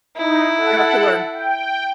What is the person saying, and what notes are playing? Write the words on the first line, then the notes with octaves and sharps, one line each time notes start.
You have to learn
D#4 E4
A4 F#5
G5